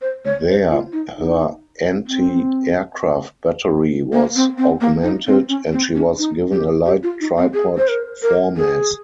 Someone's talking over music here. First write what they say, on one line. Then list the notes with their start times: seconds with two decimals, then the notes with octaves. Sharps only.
There her antiaircraft battery was augmented, and she was given a light tripod foremast.
0.01 C5
0.25 C#5
0.48 C5
0.71 F4
0.93 D#4
1.16 D#4
2.07 C4
4.13 A#3
4.35 C4
4.58 C4
4.81 A#3
5.03 D#4
5.27 C4
5.49 C#4
5.72 C4
5.95 C#4
6.18 D#4
6.52 G4
6.86 G4
7.03 F4
7.20 D#4
7.37 C4
7.54 G#4
7.78 C5
7.88 A#4
8.22 A#4
8.57 G#4